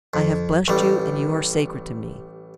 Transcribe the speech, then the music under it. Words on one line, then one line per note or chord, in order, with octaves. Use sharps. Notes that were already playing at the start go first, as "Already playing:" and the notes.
I have blessed you and you are sacred to me.
F2
A1 G3